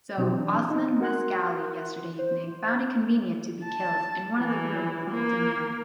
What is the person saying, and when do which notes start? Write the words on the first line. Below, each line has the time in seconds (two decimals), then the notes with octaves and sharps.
So, Osman Mascali yesterday evening found it convenient to get killed in one of the room of the Golden Mirror.
0.17 B2 F#3 C4 D#4 F#4 G4
0.34 E3 D4
0.70 D#4
1.00 F#4 A#4 F#5 C6 F#6
2.19 C5
2.52 C5
3.64 A5
4.37 E3
5.10 A#3